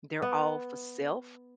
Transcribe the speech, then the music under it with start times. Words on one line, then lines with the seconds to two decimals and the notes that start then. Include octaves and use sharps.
they're all for self,
0.22 B3